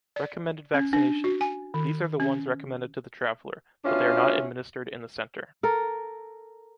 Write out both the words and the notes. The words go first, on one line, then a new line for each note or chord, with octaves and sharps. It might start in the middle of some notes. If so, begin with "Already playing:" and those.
Recommended vaccinations: these are the ones recommended to the traveler, but they are not administered in the center.
D5
C#4
D4
F#4
G#5
D#3
C#4
B2 C#4 D4 F4 E5
A4 A#4